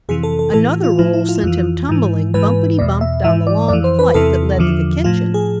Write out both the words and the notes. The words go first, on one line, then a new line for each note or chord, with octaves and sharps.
Another roll sent him tumbling bumpety-bump down the long flight that led to the kitchen.
F2 C3 E3 G#4
A4
A4
A2 E3 A4
F4
A2 F3 E4
E4
F4
F2 E3
G#2 E3
G#2 E3 B4
E2 B2 D5
E5
G#2 E3 E5
D5
F2 E3 D5
C5
B4
E2 C3 E3 A4
E2 D3 F3
A2 F3 F4
G#4